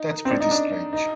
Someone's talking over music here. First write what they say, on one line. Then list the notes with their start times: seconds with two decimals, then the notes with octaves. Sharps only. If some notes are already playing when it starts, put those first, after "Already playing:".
That's pretty strange.
Already playing: D#4
0.25 C4
0.31 D4
0.40 D#4
0.51 D4
0.93 D#4